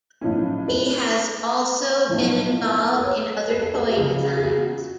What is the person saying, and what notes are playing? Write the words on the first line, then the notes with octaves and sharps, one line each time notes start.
He has also been involved in other toy designs.
B1 A2 F3 C#4
B4
B1 A2 F3
B4
C#5
B4
A4
B4
F#4
C#2 C#3 F3 G#4
G#4
F#4